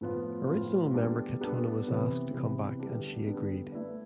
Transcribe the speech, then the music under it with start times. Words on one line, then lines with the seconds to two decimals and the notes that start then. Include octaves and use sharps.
Original member Katona was asked to come back, and she agreed.
0.01 A2 F3 B3 F4
0.47 A2 F3 B3 F4
0.94 G3 B3 D4 A4
1.41 G3 B3 D4 A4
1.87 C3 E3 B3
2.33 C3 E3 B3
2.79 D3 G3 B3 D4
3.26 D3 G3 B3 D4
3.72 A3 E4 B4 D5